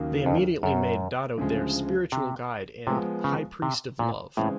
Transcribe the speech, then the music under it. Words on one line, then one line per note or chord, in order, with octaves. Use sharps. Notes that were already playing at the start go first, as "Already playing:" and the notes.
They immediately made Dado their "spiritual guide" and "high priest of love".
Already playing: D#2 C#3 F#3 A#3 D#4
F2
F#2
D2 C#3 F3 G#3
C3
C3 F3 G#3 B3
C#3
C3
A#2
A2 C#3 E3 G#3 C4